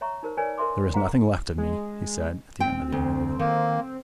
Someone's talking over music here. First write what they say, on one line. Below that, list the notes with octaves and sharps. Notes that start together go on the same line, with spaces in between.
"There is nothing left of me," he said at the end of the interview.
C#5 E5 A#5 C#6
D#4 A#4 C5
A#4 B4 C#5 D5 G#5
A#4 C5 E5 C6 D6
G#4 C5 F5 F#5 A#5
G#3
C4 G5
D2
D#3 A#3